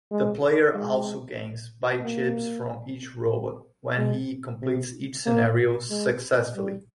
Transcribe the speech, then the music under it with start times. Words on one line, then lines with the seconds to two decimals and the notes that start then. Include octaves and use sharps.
The player also gains bio-chips from each robot when he completes each scenario successfully.
0.11 G#3
0.75 G#3
2.04 A#3
3.97 G#3
4.62 C3
5.26 A#3
5.90 G#3
6.55 G3